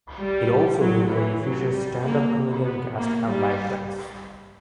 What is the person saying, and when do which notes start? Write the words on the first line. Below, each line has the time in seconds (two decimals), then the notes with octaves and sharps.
It also regularly featured stand-up comedian guests and live bands.
0.19 G3
0.80 F#3
1.11 E3
1.41 F#3
1.72 G3
2.03 A#3
2.64 B3
2.95 A#3
3.26 G3